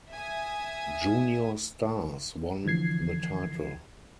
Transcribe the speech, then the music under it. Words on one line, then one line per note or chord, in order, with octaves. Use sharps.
Junior Stars won the title.
E5 G#5 D#6
D3 E3 F3 G#6 C7